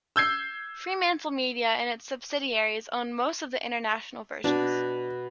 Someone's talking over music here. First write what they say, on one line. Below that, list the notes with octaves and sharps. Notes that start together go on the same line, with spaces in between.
FremantleMedia and its subsidiaries own most of the international versions.
E6 G6 G#6 C7
B2 D4